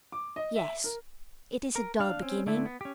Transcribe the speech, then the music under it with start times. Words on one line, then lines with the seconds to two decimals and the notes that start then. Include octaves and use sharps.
'Yes, it is a dull beginning.
0.12 D6
0.36 D#5
0.55 E5
0.84 A#4
1.76 A#4
2.00 D4 F5
2.22 C4 C#4
2.47 D3 A3 E4
2.66 B3
2.81 C#4 G4